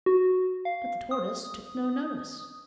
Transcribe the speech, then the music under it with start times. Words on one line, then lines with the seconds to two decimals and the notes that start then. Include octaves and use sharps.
But the tortoise took no notice.
0.06 F#4
0.65 F5
1.11 D#6